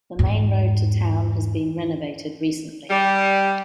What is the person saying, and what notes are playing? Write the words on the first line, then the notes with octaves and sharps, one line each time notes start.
The main road to town has been renovated recently.
E2 G#2
G3